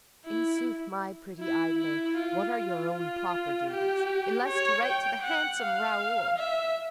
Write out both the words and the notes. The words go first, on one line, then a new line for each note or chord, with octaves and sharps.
In sooth, my pretty idler, what are your own proper duties, unless to write to the handsome Raoul?
E4
E4
E4
F4
F4
G4
C#5
G5
F#5
F5
E5